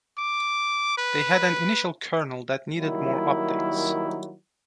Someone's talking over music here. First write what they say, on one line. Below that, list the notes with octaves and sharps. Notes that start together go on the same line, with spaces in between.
They had an initial kernel that needed more updates.
D6
B4
D#3 F#3 G3 A#3 E4